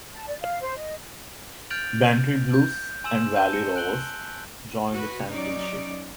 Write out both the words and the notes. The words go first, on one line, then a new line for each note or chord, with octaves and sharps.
Bantry Blues and Valley Rovers joined the championship.
A5
D5
F5
C5
D#5
F6 G6 A6 D7 F7 F#7
G6
G#5 C6 E6 E7 F#7
A5 G6 D#7 G7
C#7
F#6 D7 F#7 G7
F#4 B4
F#3 C#4 D#4 D5